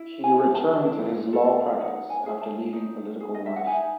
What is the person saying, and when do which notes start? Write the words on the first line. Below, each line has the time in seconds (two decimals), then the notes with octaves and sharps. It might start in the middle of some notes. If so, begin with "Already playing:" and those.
He returned to his law practice after leaving political life.
Already playing: E4
0.24 G#5
0.39 A4
0.55 A5
0.85 E4 A5
1.33 A4
1.79 D#4 F#5
2.10 G#5
2.26 G#4
2.41 A5
2.73 D#4
3.20 G#4
3.35 D#5
3.46 E5
3.56 F#5
3.67 D#4 G#5